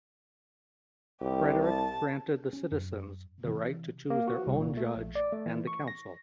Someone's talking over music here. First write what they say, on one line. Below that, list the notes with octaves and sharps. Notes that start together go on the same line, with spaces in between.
Frederick granted the citizens the right to choose their own judge and the council.
C2 G4
A5
C#4
F#2
C3 E3
A#3
F#4
C2
A#2
A3
A#1
D5
A3
E3
C#6
A#6